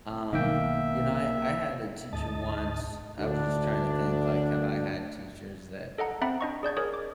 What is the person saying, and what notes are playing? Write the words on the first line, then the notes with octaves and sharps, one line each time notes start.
um, you know, I I had a teacher once I was just trying to think, like, have I had teachers that
C4
B1 D#3 A#3 E5 G5
D2 G#2 D#5 A5
D2 D4
A4 D#5 F#5 A#5
C4 E5 F#5 G5 A#5 B5
D4 D#5 C#6
G#4 D5 G6 G#6
G#4 A#4 C#5
D6